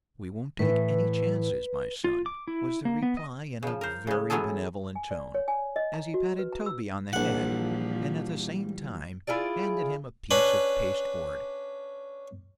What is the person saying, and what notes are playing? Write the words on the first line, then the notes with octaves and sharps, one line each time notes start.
"We won't take any chances, my son," was the reply, in a very benevolent tone, as he patted Toby on the head, and at the same time handed him a piece of pasteboard.
A2 E3 B4
F4
D6
E4
A#3
B3
D#5
C#3 F3
A#4 C5
C#3 G#3
E3 F#3 B3 C#4 G#4 A4
G#5
D5
C#5
G#5
D#5
A#5
F#4
B4
A#5
E6
A#1 A#2 E3 F3 G3 F#5
E4 F4 G#4 D5
C#4 D4 B4